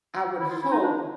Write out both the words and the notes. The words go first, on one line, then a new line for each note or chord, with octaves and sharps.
I would hope
E4
F4
E4
D#4
D4